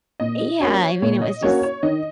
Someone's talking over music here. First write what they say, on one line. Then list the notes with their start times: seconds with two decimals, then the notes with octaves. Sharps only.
Yeah, I mean, it was just
0.20 A#2 D#5
0.60 A#3 C#4 F#4 C#5
1.02 A#2 C#5
1.22 D#5
1.43 A#3 C#4 F#4 C#5
1.63 C#5
1.83 D#3 D#5